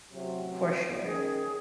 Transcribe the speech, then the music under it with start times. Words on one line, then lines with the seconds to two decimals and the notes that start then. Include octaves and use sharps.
For sure.
0.13 A1 C3 F#3
1.05 D#3 C#4 G#4